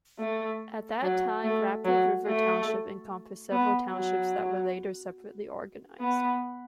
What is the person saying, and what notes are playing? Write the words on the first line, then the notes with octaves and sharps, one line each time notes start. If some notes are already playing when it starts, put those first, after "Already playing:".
At that time, Rapid River Township encompassed several townships that were later separately organized.
A3
F#3
A3
F#3
A3
B3
F#3
B3